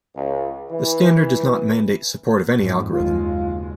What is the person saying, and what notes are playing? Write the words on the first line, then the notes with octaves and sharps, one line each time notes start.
The standard does not mandate support of any algorithm.
C#2
E3
F2 G#2
F#1 D#2 G#3 F4